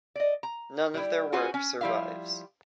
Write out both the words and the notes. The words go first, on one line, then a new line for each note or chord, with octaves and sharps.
None of their work survives.
D5 D#5
A#5
G3 E4
C#4 F4 F#4 G#4 B4 C5
C#4
F3 G3 E4 E5 F5